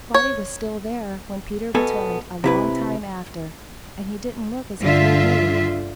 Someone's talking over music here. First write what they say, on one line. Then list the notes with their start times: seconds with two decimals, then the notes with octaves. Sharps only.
Spotty was still there when Peter returned a long time after, and he didn't look as if he had moved.
0.14 C#5
1.75 B2 B3 A4 G#5
2.44 C3 E4 B4
4.80 G2 D3 F4 E5